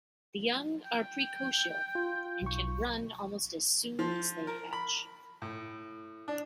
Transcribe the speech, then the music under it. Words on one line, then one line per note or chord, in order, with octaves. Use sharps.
The young are precocial, and can run almost as soon as they hatch.
G5
F4
B1 C#6
F3
A#4
B5
A2
D4